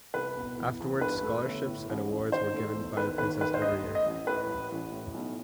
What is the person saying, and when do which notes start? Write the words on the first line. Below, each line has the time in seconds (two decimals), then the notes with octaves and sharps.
Afterwards scholarships and awards were given by the Princess every year.
0.14 C2 B4
0.37 B2
0.57 E2
0.80 E2
1.01 G2 B4
1.23 A3
1.46 G1
1.66 A2
1.89 A1
2.10 A1
2.31 D#3 C5
2.54 A3
2.75 E2
2.97 D#3 B4
3.18 D#2 B4
3.41 D#2 B4
3.54 C5
3.62 G2 D#5
3.84 A3
3.95 D#5
4.06 A1
4.27 A2 B4
4.49 A1
4.72 A1
4.92 A2
5.14 B1